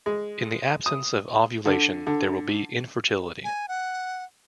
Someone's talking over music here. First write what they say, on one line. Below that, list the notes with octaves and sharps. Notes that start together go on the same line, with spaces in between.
In the absence of ovulation, there will be infertility.
G#3
D#6
D3
D3
G#5
F#5